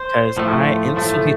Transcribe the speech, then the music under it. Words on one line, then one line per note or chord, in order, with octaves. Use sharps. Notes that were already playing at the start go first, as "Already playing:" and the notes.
'cause I instantly
Already playing: C5
A2 F3 A3
A2 F3 A3